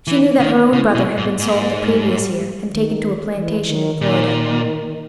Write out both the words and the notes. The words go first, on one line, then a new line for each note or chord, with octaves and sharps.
She knew that her own brother had been sold the previous year and taken to a plantation in Florida.
E3 D#4
D#3
C#3 E4
E4
B2
G#2
B3
G#2 B3
A#3
G#3
G3
D#3
E3
D#3
A#2 D#3